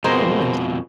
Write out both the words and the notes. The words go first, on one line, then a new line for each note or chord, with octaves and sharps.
Oh, nice.
F2 B2 G#3 A#4 C5